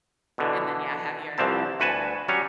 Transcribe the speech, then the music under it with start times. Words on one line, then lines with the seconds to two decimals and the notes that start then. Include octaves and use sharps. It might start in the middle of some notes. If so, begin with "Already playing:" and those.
and then, yeah, have your
0.38 B2 D3 E3
1.38 C2 E3 F3 C4 A5
1.80 D2 F#4 B4 G#5 A5
2.28 F#3 G3 C#4 C#5